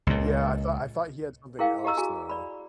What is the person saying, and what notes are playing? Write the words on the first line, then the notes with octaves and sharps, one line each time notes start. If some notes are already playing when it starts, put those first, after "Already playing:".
Yeah, I thought I thought he had something else though.
C#2 A#2
E4 G#4 A#4 F5 G5
G4 D#5 A#5 E6
F#4 G#4 G#5 A#5
D5 B5